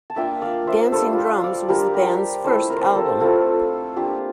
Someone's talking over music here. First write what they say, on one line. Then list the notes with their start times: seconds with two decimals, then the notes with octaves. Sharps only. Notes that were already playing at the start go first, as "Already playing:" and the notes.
Dancing Drums was the band's first album.
0.10 A5
0.16 A#3 D4 F4 E5 G5
0.42 D5 F5
0.67 C5 E5
0.92 G3 D4 F4 A4 C5
1.12 F4
1.19 G4
1.43 D5 F5
1.68 G3 D4 F4 G4 A#4
1.94 G4 A#4
2.44 A3 C4 E4 A4 C5
2.70 A#4
2.77 C5
2.85 G4 A#4
2.95 F4 A4
3.20 A3 C4 E4 F4 A4
3.97 A#3 D4 F4 G4